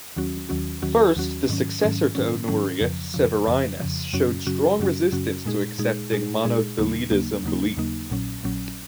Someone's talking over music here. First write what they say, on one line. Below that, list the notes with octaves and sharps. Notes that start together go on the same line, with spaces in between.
First, the successor to Honorius, Severinus, showed strong resistance to accepting Monothelitism belief.
D#2 D#3 F#3 C#4 F#4
D#2 D#3 F#3 C#4 F#4
D#2 D#3 F#3 C#4 F#4
D#2 D#3 F#3 C#4 F#4
G#2 D#3 F#3 C#4
G#2 D#3 F#3 C#4
G#2 D#3 F#3 C#4
G#2 D#3 F#3 C#4
F2 C#3 F3
F2 C#3 F3
F2 C#3 F3
F2 C#3 F3
F#2 C#3 F#3 C#4 F#4
F#2 C#3 F#3 C#4 F#4
F#2 C#3 F#3 C#4 F#4
F#2 C#3 F#3 C#4 F#4
A#2 G#3 D#4 G#4
A#2 G#3 D#4 G#4
A#2 G#3 D#4 G#4
A#2 G#3 D#4 G#4
D#2 C#3 F#3 A#3 D#4
D#2 C#3 F#3 A#3 D#4
D#2 C#3 F#3 A#3 D#4
D#2 C#3 F#3 A#3 D#4
A#1 A#2 F#3 C#4
A#1 A#2 F#3 C#4